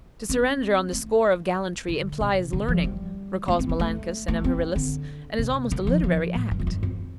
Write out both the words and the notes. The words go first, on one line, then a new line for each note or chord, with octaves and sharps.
To surrender on the score of gallantry implies learning, recalls Menalcas and Amaryllis, and is almost a literary act.
C4
A3
D3
C3
D3
F3
G3
A3
C4
C4
A3
A3
C4
D3
C3
D3
F3
F3
A2
G2
F2
G2
F2